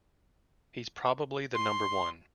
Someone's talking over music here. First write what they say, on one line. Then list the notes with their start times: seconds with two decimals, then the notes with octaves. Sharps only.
He's probably the number one.
1.55 C6